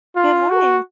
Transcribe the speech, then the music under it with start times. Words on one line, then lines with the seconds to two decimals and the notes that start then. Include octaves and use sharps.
Good morning.
0.16 F4
0.49 F#4